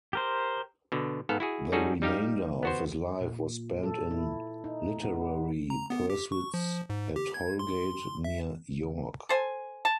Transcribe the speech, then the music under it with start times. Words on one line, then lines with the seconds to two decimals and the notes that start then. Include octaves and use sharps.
The remainder of his life was spent in literary pursuits at Holgate, near York.
0.13 G4 A#4 C5
0.92 B2 D3
1.29 G#2 B3 A4 F5
1.40 E4 F#4 G#4
1.72 G3 C#4 D#4 F#4 G#4 A4
2.02 G3 D#4 G4 F5
2.63 B3 F#4 C5
3.21 A#2
3.83 A4
4.11 E4
4.64 D#4
5.04 B3
5.70 A#5
5.90 B3
6.10 G4
6.32 C#6
6.54 F3
6.90 G#2
7.16 G4
7.34 G#6
7.59 C6
8.24 E5
9.29 A4 C5 G#5
9.85 A5